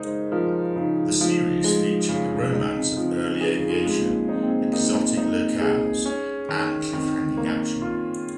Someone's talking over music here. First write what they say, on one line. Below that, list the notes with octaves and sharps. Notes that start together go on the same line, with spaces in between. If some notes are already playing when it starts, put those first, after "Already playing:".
The series featured the romance of early aviation, exotic locales, and cliff-hanging action.
Already playing: C#3 G#3 D#4 A#4 C5
F3 A#4
C#3 D#4
F3
G#3
C#3
C#4 D#4
C4
F3 C4
D#4
C#4
D#4 G#4
F4
G#3
A#3
C4 D#4
A#3
C4
A#3 D#4
D#4
G#4
C#4
D#3
D#3 C4
A#3
F4